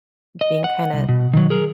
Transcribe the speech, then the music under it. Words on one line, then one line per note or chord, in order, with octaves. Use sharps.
being kinda
D#5
F#5
C2
B2
D#3 F#3
G#4 A#4